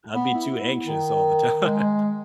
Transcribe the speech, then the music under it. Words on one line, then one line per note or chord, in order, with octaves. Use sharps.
I'd be too anxious all the time.
B3
E4
D#3
G#3